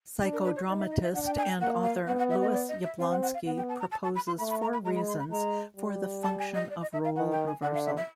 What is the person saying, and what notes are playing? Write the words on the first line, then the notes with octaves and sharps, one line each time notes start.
Psychodramatist and author Lewis Yablonsky proposes four reasons for the function of role reversal.
D4
A#4
B4
C#5
D#4 D5
E5
D#5
E5
D4 F#5
G5
G#5
G5
G#5
A#3 F#5
F5
B3 F#5
F#5
E5
D#5
D5
D#5
E5
C4 F5
F#5
F#5
F5
B3 F#5
G5
A5
A#5
A5
A5
B5
C6
A3 B5
B5
A#5
B5
G#3 A#5
B5
C6
B5
G#3 A#5
G3
A5
G#5
D#5
D5
D#5
E5
F5
D#3 F#5
G5
G#5
D3 F#5
F5
E5
E5